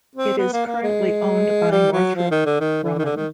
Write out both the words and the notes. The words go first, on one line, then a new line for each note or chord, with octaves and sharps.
It is currently owned by Northrop Grumman.
C4
B3
A#3
A#3
G#3
G3
F#3
F3
D#3
D3
D#3
D3
D#3
D3
D#3